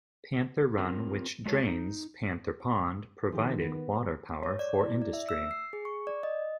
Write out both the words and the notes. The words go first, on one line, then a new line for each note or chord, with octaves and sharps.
Panther Run, which drains Panther Pond, provided water power for industry.
C4 F4 A#4
G#3 A3 F#4 A4 B4 C#5
D#4
D#3 F3 G4
B3 B4
C#5
D5
E4
D5
E5
E6
C7
G#4
C#6
D5
D#5